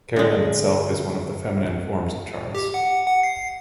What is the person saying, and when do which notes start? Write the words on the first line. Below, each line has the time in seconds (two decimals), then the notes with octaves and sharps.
Caroline itself is one of the feminine forms of Charles.
0.16 D3 G#3
2.55 G4
2.74 F#5
3.07 F#5
3.23 C7